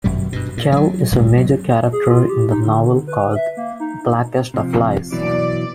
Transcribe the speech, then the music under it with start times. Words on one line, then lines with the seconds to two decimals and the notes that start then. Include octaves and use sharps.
Kell is a major character in the novel called "Blackest Of Lies".
0.04 G1 F#2 B2 G3
0.32 G2 B2
0.57 A#2
0.72 F3 F#3
1.11 D1 G2 B2 G#3
1.37 F#3
1.92 G#4
2.09 F4
2.29 G4
2.51 D#4
2.65 D3
3.07 B4
3.36 E5
3.57 A#3
3.80 D#4
4.54 C3 F3
5.12 B2 E3 F#3 D5